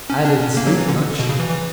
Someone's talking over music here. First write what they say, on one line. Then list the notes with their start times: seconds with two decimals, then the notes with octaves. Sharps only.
I didn't sleep much.
0.10 C#4
0.25 D4
0.41 C#4
0.57 A#3
0.67 F#3
0.78 E3
0.89 D3
1.19 B2
1.29 C#3
1.40 E3
1.51 E3